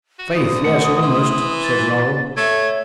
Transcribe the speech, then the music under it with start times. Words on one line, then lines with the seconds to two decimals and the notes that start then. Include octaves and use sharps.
"Faith, yes, almost," said Raoul.
0.19 F#4
0.35 D2 D#6
0.64 A3 F#5
1.03 E3 C6
1.64 A6
2.37 A3 C#5 E5 G#6